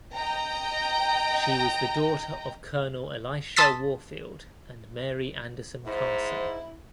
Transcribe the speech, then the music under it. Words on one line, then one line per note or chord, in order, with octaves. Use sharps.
She was the daughter of Colonel Elisha Warfield and Mary Anderson Carson.
D#5 G5 A#5
A5 C6 D#6 E6 A6 B6
G#2 E4 C5